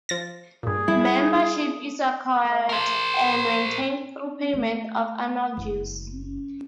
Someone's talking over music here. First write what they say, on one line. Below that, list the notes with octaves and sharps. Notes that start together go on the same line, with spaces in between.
Membership is acquired and maintained through payment of annual dues.
F3 A6 A#6
G2 A#2 G#4
G3 E4
A#4 C5
A3
F#1